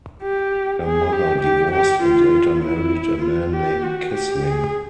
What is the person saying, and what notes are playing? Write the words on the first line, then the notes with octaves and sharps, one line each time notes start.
Her mother divorced and later married a man named Kissling.
G4
G#4
G4
G4
G4
F4
E4
F4
G4
F#4
G4
G#4